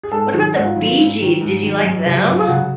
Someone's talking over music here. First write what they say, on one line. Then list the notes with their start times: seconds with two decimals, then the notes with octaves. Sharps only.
What about the Bee Gees? Did you like them?
0.03 G#4
0.12 G#2 A4
0.33 D#3 F#3 G#4
0.55 G#2 F#4
0.65 F4
0.76 D#3 F#3 E4
0.87 F4
0.97 G#2 E4
1.19 D#3 F#3
1.41 G#2
1.63 D#3 F#3
1.84 F#2
2.05 C#3 F#3
2.27 F#2
2.39 F4
2.48 C#3 F#3 F#4